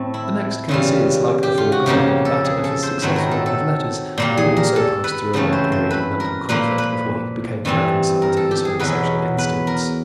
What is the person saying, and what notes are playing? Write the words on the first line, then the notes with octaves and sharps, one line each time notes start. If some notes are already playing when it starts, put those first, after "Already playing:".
The next case is, like the foregoing, that of a successful man of letters who also passed through a long period of mental conflict before he became reconciled to his homosexual instincts.
Already playing: A2 A3 C4
E4
C#3 E3 G3 F4
G4
F4
F#4
F2 C#3 F3 A#3 G4
A4
G#4
A4
C5
G#2 D#3 F#3 A3 C4 B4
A#4
A4
A4
A#2 G3 A#3
G#4
A#4
A4
B4
F#2 C#3 E3 A3 C4 B4
C5
C5
B4
A#4
A#2 F3 A#3 B4
B4
G2 E3 G3 C4
A#4
A4
G4
G#4
E2 B2 F#3 B4
B4
A#4